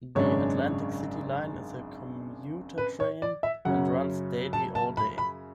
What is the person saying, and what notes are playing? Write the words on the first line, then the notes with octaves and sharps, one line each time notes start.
The Atlantic City Line is a commuter train and runs daily all day.
G#1 F#2 C#3 G#3 D4 C#5
B4
C#5
D5
E5
F#2 C#3 F#3 C#4 F#5
A5
A5
B5
B5